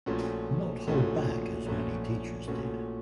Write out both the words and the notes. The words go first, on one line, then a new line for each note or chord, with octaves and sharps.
Not hold back, as many teachers did.
A#1 A#2 A3 C#4 F#4
A#1 A#2 A3 C#4 F#4
A#1 A#2 A3 C#4 F#4
A#1 A#2 A3 C#4 F#4